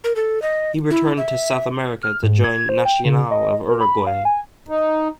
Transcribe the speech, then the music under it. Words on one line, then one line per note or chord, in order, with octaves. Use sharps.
He returned to South America to join Nacional of Uruguay.
A#4
A4
D#5
E4
E5
F6
G#2
G#6
C5
G5
C#3
D#5
A#4
B5
F5
G#5
D#4